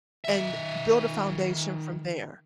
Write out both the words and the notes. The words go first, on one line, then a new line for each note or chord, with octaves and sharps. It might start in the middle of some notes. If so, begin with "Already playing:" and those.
and build a foundation from there."
D#3 E5